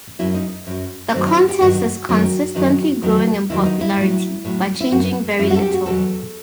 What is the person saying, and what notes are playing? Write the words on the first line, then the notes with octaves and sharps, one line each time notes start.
The contest is consistently growing in popularity, but changing very little.
F#2 F#3 E4
D#4
F#2 F#3
G2 D#3 F#3 C4
D#4
F#4
G4
G2 D#3 F#3 F#4
F#2 D#3 F#3
F#2 D#3 F#3
E2 D#3 F#3
E2 D#3 F#3 E4
D#4
E4
A2 F#3
A2 F#3
E4
F#2 F#3 F#4
F#2 F#3 E4
F#4
A4
G4
F#4
E2 B2 F#3 A4